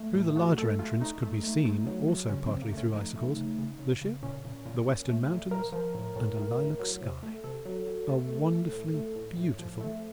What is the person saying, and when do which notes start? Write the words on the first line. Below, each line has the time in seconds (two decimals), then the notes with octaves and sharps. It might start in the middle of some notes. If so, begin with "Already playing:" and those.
Through the larger entrance could be seen, also partly through icicles, the ship, the Western Mountains, and a lilac sky; a wonderfully beautiful picture.
Already playing: A3
0.15 A2
0.36 A3 F#4
0.58 A3 A4
0.79 A3 F4
1.00 A3 D#4
1.23 A3
1.43 A3
1.65 A3
1.87 F#3
2.08 F#3
2.29 C#3 C#4
2.46 C#3 C4
2.62 A#3
2.72 A3 C#4
2.94 F3 D#4
3.16 A3
3.37 C#3
3.58 C#3
3.79 C#3
4.01 C#3
4.23 A#2 C#4
4.45 A#2
4.66 A#2
4.87 A#2
5.09 A3
5.29 A#2
5.51 F3 A#4
5.72 F3
5.95 A2
6.16 A2
6.37 A2
6.58 A2
6.79 F#3
7.02 C3
7.23 A3
7.44 C3 A4
7.66 F#3
7.87 F#3
8.08 A3
8.29 A3
8.51 A3
8.72 A2
8.94 A3
9.16 A2
9.37 A2
9.59 F3
9.81 A3